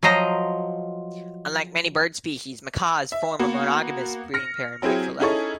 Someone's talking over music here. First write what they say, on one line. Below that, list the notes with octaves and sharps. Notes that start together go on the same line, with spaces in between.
Unlike many bird species, macaws form a monogamous breeding pair and mate for life.
F3 F#3 C5 D#5 A#5
E5
A#3 B3 F#4
F6 A#6 C#7
F#3 C4 E4 G4 G#4
C#4 D#4 E4 G#4 A4 C#6